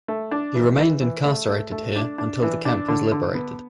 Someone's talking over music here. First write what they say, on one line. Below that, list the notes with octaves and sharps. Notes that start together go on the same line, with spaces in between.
He remained incarcerated here until the camp was liberated.
A3
D4
E3
E3
E3
A3
A3
A3
D4
D4
E3
D4
D3
D3
B3